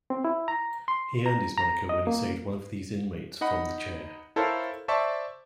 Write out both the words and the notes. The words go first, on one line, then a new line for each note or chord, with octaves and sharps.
He earned his moniker when he saved one of these inmates from the chair.
C4
E4
A#5
C6
A#5
A#5
D#5
A#3
D#4 D#5 F#5 B5
E4 A4 A#4 C5 C#5 F5
C5 D5 E5 A5 C#6